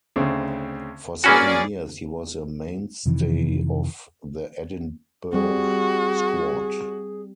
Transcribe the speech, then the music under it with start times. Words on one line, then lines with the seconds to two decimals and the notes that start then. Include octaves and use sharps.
For seven years he was a mainstay of the Edinburgh squad.
0.16 D2 C#3 C4
1.24 A#3 C#4 F#4 G#4 D5 G#5 B5 E6
3.06 F2 C3 D#3 E3
5.33 G3 C4 F#4 G#4